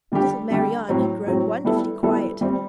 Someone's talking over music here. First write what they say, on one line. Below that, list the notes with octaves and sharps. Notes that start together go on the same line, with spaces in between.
Little Marianne had grown wonderfully quiet.
D3 G3 D4 G4
D3 G3 D4 G4
A2 F#3 C4
A2 F#3 C4
G3 B3 E4 A4
G3 B3 E4 A4
G3 C4 G4 C5